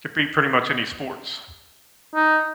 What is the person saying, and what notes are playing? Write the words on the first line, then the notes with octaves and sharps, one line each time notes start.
Could be pretty much any sports.
D#4